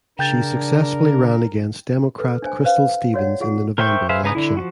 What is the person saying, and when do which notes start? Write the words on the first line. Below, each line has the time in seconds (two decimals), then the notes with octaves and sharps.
She successfully ran against Democrat Crystal Stevens in the November election.
0.19 C#3 D4 A#4 G5 G6 A6
2.18 A4 B4
2.42 D4 C5 G#5
2.64 B4 C5 F5
3.14 F#4 C#5 D5 F#5
3.40 F4 G#4 F#5
3.78 A#4 C5 E5 G5 C#6
4.09 G#4 B4 C5 E5 F5
4.23 C#3 G#4 B4 A#5 D#6
4.35 D3 E4
4.57 F3 F4 F#4